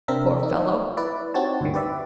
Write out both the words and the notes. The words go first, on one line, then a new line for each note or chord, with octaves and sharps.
Poor fellow!
C3 C4 D4 A#4 E5
D#4
E4 B4 D5 E5
C4 D#4 F#4 G4 C#5 A5
D2 G2 D#3
G4 B4 D5 E5